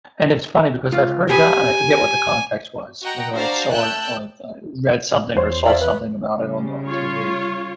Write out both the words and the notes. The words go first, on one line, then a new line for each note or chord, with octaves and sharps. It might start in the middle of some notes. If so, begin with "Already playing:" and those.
And, it's funny because I've heard that, and I forget what the context was, whether I saw it on or read something or saw something about it on on TV,
C#2 F4
G4 G#4 B4 G#5
F#4 D#5 F#5 G5 A#5
D4 F#4 C5 D5 F5 A#5
A3 G5 A5 E6 F#6 G6
E2 C5 C#5
C#5 D5 E5 F5
B4
C#3 G3
F4 C#5